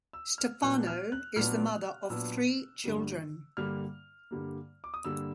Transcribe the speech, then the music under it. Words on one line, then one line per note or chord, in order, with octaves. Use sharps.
Stefano is the mother of three children.
E6
F6
A#2 F#3 B3 D4 F#6
F6
F#6
A#2 F#3 B3 D4 F6
A#2 F#3 B3 D4 E6
G2 D3 G3 A#3
G2 D3 G3 A#3 F6
G2 D3 G3 A#3
D6
D#6
G2 D3 G3 A#3 E6